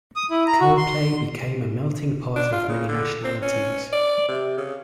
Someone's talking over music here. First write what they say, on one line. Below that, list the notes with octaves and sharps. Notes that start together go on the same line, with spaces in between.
Coplay became a "melting pot" of many nationalities.
D#6
E4
A#5
F#4
C6
D4
F4
C#3
D3
C4
C#4
D5
C3
C#3